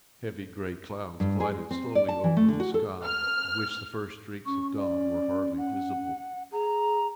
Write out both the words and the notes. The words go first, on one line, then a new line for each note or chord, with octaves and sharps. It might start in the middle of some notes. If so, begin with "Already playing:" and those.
Heavy grey clouds glided slowly over the sky, in which the first streaks of dawn were hardly visible.
G2
G#4
G#3
C4
D5
A5
E3
A3
D3
F#4
A4
F6
C#4 C#6
D5
F#5
G#4 A#5